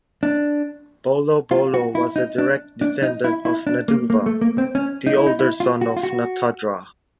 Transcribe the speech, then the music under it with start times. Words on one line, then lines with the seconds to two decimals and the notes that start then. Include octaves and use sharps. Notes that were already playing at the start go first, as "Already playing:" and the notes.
Bolobolo was a direct descendant of Naduva, the older son of Natadra.
0.23 D4
1.51 F4
1.74 F#4
1.95 E4
2.16 D#4
2.38 D4
2.81 D4
3.03 D#4
3.24 E4
3.45 E4
3.67 D4
3.88 A#3
4.10 A#3
4.26 A3
4.41 A#3
4.58 C4
4.75 C#4
5.07 D#4
5.17 E4
5.27 D#4
5.39 E4
5.60 F4
5.81 F#4
5.97 F4
6.03 F#4